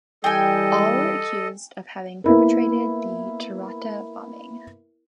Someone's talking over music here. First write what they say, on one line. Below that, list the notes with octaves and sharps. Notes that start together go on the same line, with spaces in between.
All were accused of having perpetrated the Tarata bombing.
E3 G3 A4 D#5 G5 G#5
A#3 B3 E4 A#4